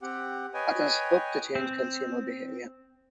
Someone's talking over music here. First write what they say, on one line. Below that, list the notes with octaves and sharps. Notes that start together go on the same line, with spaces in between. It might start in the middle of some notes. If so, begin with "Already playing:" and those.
Others hope to change consumer behavior.
C4 G4 F#5
B4 C#5 D#5 G5 G#5
C4